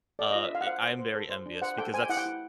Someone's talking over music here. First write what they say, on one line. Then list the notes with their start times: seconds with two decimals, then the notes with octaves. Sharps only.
uh, i I am very envious because that's
0.19 A4 D5
0.31 F4 D#5
0.43 E5
0.50 D4 F5
0.61 F#5
0.67 C5 F5
0.83 C5
0.99 C5
1.15 A4
1.30 C5
1.46 D4
1.62 C5 F#5
1.78 A4 G5
1.94 C5 G#5
2.02 G5
2.09 E4 F#5
2.17 G5
2.26 E4